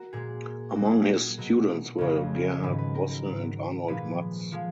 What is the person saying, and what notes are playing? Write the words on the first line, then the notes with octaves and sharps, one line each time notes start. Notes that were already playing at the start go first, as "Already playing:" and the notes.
Among his students were Gerhard Bosse and Arnold Matz.
Already playing: F#4 A#4
A#2 G#3 G#4
A#2 F#3 F#4
G#4
F#4
G#4
B2 F#3 F#4
F2 C#3 G#3 G#4
G#2 D#3 F#3 B4
B4
A#4
A#4
G#2 F#3
A#2 F3 G#3 B4
F3 G#3